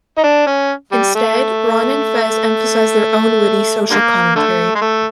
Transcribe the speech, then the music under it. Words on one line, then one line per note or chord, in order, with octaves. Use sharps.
Instead, Ron and Fez emphasized their own witty social commentary.
D#4
D4
C#4
G3
A3
D3 G3 A#3
D3 A3
G#3
A3